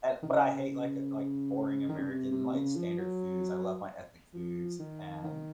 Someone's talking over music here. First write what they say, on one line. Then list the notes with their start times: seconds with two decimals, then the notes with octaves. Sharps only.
an but I hate, like, uh, like, boring American, like standard foods. I love my ethnic foods, and,
0.23 D#3
0.29 C#3
1.89 D#3
1.99 C#3
2.08 C3
2.32 C3
2.53 C#3
2.76 F3
2.98 F#3
4.34 F3
4.79 D#3
5.24 D#3